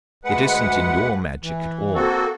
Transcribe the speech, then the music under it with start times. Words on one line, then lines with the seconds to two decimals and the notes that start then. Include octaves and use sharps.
It isn't in your magic at all.
0.24 D2 G#3 B4 F#5
1.42 E3
1.94 A#3 C4 F#4 A4